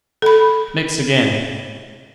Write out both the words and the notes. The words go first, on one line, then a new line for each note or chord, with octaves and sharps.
Mix again.'
A4 B5